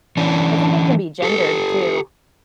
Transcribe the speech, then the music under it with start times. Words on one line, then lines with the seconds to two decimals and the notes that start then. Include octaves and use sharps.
I think it can be gendered too.
0.17 E3 C#4 D4
1.22 G4 A4